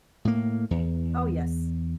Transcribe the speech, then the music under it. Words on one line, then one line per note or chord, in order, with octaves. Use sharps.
Oh yes.
A2 A#3
E2